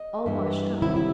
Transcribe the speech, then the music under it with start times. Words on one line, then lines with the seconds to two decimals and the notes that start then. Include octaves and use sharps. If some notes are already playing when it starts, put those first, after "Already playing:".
All washed-up!
Already playing: D#5
0.26 G2 E3 B3
0.81 E2 C3 D#3 F#3 E4
0.96 E4